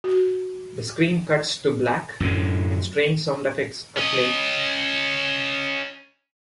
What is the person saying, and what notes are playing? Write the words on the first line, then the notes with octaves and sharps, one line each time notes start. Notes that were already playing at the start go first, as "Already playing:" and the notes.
The screen cuts to black and strange sound effects are played.
F#4
F#2 A2 D3
C#4 D#5